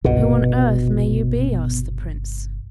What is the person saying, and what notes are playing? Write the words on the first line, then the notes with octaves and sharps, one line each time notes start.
"Who on earth may you be?" asked the Prince.
G1 C2 B2